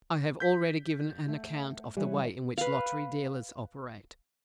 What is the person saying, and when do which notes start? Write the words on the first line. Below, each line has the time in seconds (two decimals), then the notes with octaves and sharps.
I have already given an account of the way in which lottery dealers operate.
0.40 G6 B6
1.28 A3 F#5
1.97 E3 G3 B4 C#5
2.58 B4 F5